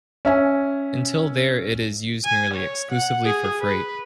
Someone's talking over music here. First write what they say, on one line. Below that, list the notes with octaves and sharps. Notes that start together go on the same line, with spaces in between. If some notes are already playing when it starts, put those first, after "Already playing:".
Until there it is used nearly exclusively for freight.
C#4 E5 G#5
G#5
C#5
F#5
G#4
B4